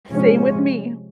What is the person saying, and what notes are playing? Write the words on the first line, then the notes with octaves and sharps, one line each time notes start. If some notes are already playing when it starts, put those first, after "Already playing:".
Same with me.
C3 F3 G#3 C#4